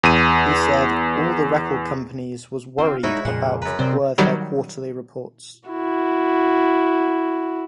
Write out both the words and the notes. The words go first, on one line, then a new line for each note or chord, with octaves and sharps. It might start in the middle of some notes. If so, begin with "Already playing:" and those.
He said: All the record company was worried about were their quarterly reports.
E2 D#7
D3 C4 F4
G#3 D#4 E4 F#4 C5 C#5
F2 A#2 C#3 F#5
F#2 B4 A#5
C3 C4 A#4 D5 G5
D#3 F#3 G3
E4 F#4